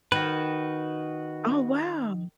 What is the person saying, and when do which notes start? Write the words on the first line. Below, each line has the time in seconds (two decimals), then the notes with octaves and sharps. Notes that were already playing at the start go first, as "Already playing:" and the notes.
Oh, wow.
0.12 D#3 F#4 B4